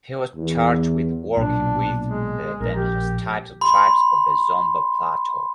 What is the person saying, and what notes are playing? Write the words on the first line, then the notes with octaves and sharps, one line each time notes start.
He was charged with working with the then hostile tribes of the Zomba plateau.
E2
B1 A#2 D4
G#3
A#1 A#4
G4
B5 C6